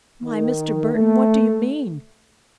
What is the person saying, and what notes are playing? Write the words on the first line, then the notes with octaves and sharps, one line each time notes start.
Why, Mr. Burton, what do you mean?
D#3
A3